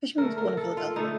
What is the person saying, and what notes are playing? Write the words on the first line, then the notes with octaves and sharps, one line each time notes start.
Fishman was born in Philadelphia.
D3 A3 A#4
A#4
A4
F4
D3 A3 D#4